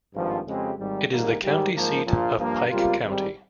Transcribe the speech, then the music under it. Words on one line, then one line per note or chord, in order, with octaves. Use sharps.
It is the county seat of Pike County.
G#1 G2 F3
F2 C#3 G#3 C4 G4
G#1 G#2 G3
G#1 G#2 G3 A#3
G#2 D#3 G3
G#2 F3 A#3
A#1 A#2 F3
G2 F3 A#3
C#2 C3 G3 A#3 F4
G#1 G#2 G3 C4